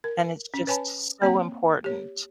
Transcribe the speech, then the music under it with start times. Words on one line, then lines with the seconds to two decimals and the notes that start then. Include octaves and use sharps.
and it's just so important.
0.04 A#4
0.54 C#4
0.67 B4 C#5 G#5 A5 B5
1.22 A#3 C4 C#5 G5
1.84 G4 C#5